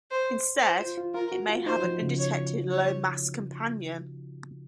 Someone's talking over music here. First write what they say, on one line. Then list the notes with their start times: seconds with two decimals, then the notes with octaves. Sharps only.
Instead, it may have an undetected lower mass companion.
0.11 C5
0.62 C5
0.80 F4
0.97 F4
1.14 F4 A#4
1.32 F#4
1.49 F4
1.66 D#4 C5
1.84 F3
2.02 C#3
2.18 C#5
2.70 C#5